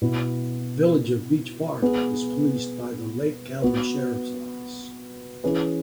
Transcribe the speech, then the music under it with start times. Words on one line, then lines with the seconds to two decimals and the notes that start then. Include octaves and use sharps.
The village of Beach Park is policed by the Lake County Sheriff's Office.
0.01 B2 B3 E4
1.82 B3 G#4 B4
3.62 B3 F#4 B4
5.44 E3 C#4 G#4 B4